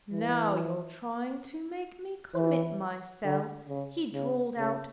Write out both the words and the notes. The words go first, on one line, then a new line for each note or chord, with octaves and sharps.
'Now you're trying to make me commit myself,' he drawled out.
E3
E3
D3
C#3
C#3
C#3